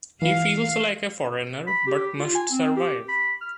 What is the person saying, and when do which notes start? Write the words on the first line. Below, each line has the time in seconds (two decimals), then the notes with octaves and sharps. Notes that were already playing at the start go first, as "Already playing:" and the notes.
He feels like a foreigner, but must survive.
0.22 E3 F5
1.67 B5
1.87 G4
2.19 F4
2.35 G#5
2.52 C4
2.77 G4
3.09 B5
3.41 F6